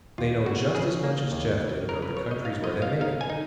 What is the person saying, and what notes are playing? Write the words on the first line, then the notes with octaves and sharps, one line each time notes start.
They know just as much as Jeff did about the countries where they make it.
D#2 F4
C#3 F#4
C#3 G#4
A#3
D#2
C#3
C#3 A#4
B4
C#3 C#5
D#5
D#4 F5
D#5
B3
F5
D#4 F5
G#5
D#4